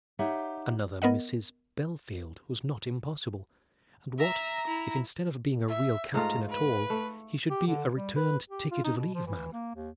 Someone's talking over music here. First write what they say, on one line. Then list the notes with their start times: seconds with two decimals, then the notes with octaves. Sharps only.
Another Mrs. Bellfield was not impossible; and what, if instead of being a real captain at all, he should be a returned ticket-of-leave man!
0.19 D#4 G4 C#5 E5 F#5
1.02 B3 A#4 D#5 F#5
4.20 E5 A#5
4.67 E4
5.68 E5
6.14 G#2 A3 F4 A#5
6.50 B4
6.90 A3
7.50 G4
7.67 D3
7.96 G3
8.16 B4
8.50 G4
8.71 F4
8.84 D#4
8.97 B2
9.14 F3
9.26 E3
9.53 A#3
9.75 D#2